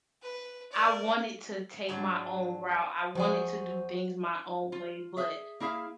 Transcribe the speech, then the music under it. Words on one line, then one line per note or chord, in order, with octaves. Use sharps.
I wanted to take my own route, I wanted to do things my own way, but
B4
A#4 D5
G#2 F#3 D4
E2 F3 F#4 G#4 C5
F4
G#4 E5
A#3 E4 G#4 E5 F5